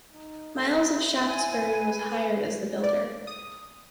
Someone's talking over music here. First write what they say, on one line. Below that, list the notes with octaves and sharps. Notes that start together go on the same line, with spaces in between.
Miles of Shaftesbury was hired as the builder.
D#4
A4
E4
G#5
B4
D5
D#6